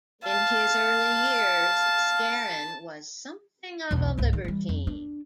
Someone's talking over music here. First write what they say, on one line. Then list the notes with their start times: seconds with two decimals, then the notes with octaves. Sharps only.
In his early years, Scarron was something of a libertine.
0.24 F5 A5
3.91 B1 E2
4.17 C#2 G#2
4.33 D#3
4.44 E3 G3
4.69 F2
4.87 D4